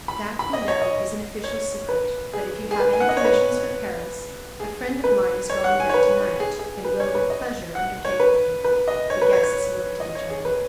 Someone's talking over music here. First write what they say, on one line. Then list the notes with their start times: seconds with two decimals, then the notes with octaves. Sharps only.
"That, madame, is an official secret; but if you have any commissions for Paris, a friend of mine is going there to-night, and will with pleasure undertake them." The guests looked at each other.
0.08 B5
0.39 B5
0.53 D#5
0.68 C#5
0.82 D#5
1.44 C#5
1.89 B4
2.33 G#4
2.71 G#4
2.80 B4
2.93 G#5
3.00 F#5
3.09 D#5
3.17 C#5
3.24 B4
4.60 G#4
5.04 B4
5.50 C#5
5.64 F#5
5.80 G#5
5.90 C#5
5.94 B4
6.40 G#4
6.59 G#4
6.84 B4
7.00 C#5
7.15 B4
7.30 D#5
7.75 F#5
8.05 C#5
8.20 B4
8.64 B4
8.88 D#5
9.10 C#5
9.22 B4
9.33 C#5
9.43 C#5
10.00 D#5
10.15 C#5
10.30 G#4
10.45 B4